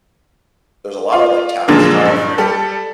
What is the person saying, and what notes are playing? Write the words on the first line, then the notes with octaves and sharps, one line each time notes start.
there's a lotta, like, tapas style food,
F4
A#2 D3 F3 F#3 G#3 A#3
G2
G3 A4